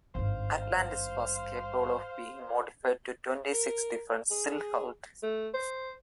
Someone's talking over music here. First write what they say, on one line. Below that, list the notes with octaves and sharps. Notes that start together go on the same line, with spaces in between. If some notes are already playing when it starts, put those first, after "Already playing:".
"Atlantis" was capable of being modified to twenty-six different silhouettes.
G#1 G2 C5 F5
A#4
G#4
A3
C5